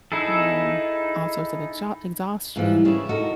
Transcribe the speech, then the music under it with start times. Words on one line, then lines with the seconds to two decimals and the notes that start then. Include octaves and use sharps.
um, all sorts of exhau exhaustion,
0.12 D#4 E4 G#4 A4
2.56 G#2 E3 F3
2.85 C#3 G3 E4
3.09 D#4 F#4 A4 A#4